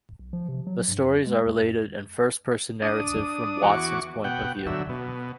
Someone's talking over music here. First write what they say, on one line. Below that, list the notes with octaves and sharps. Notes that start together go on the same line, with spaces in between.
The stories are related in first-person narrative from Watson's point of view.
B1
F3
C3
F#3
G2
F2
G#3
E2
F#2
D4 D#6
E2 F#4 C#6 D6
B2 F#5 G5
D3 F#3 E5
B2